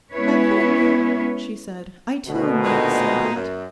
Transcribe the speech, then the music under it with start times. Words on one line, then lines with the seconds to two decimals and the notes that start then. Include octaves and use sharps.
'I think,' she said, 'I too might say that.
0.13 G#3 B3 C#4 E4 B4 C#5
2.27 D2 B2 D#3
2.64 A#2 G#3 D#4
3.35 F#2